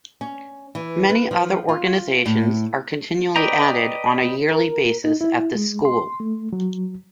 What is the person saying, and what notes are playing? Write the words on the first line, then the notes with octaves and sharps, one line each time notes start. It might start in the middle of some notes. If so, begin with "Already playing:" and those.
Many other organizations are continually added on a yearly basis at this school.
C#4
E3
B4
F3
F4
A2
B4 D5 D#5 G5 A#5
A#4
D#4
E4
G#3
C6
A3
F#3